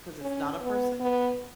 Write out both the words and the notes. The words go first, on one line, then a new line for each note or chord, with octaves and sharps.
'Cause it's not a person?
C#4
B3
B3